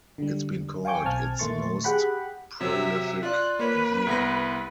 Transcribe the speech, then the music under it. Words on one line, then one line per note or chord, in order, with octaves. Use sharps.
It's been called its most prolific year.
D3 G3
F5 G5 G#5 C#6 D6 G6
B1 C4 G#5 A5 F6 G#6
A#2 D#3 A3 C6 C#6 A6
G4 G#4 F#5 G5 B5
C3 F#3 E5
F4 D5 F#6
A#3 B4 C#5
C2 B3 A#6